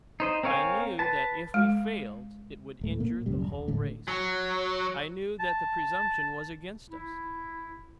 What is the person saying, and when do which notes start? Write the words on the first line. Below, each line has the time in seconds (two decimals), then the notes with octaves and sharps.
I knew that if we failed it would injure the whole race. I knew that the presumption was against us.
0.20 D#4 C5 D#5
0.43 C4 A#4 C#5 F5 G#5
0.99 B4 A5
1.54 G#3
2.81 D1 A3
3.00 A#2 A#3
3.26 B1 F#2 C#3 G3
3.41 D#1
3.68 A2 D3 A3
4.08 F#3
5.40 A5
6.91 E4